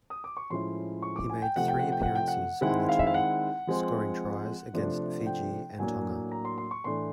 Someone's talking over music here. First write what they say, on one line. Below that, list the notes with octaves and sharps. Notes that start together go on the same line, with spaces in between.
He made three appearances on the tour, scoring tries against Fiji and Tonga.
D#6
D6
C#6
A2 F3 G#3 C#4 E4 C6
C#6
D6
G#5
G5
C3 F3 A3 F#5
G5
F#5
G5
F#5
G5
F#5
D#3 G#3 C4 E4 F#5
F5
E5
F5
F#5
F3 G#3 C4
C3 F3 A3 D4
G5
A2 F#3 A#3 D4 G#5
A#5
C6
C6
C#6
A2 E3 A3 D4 C6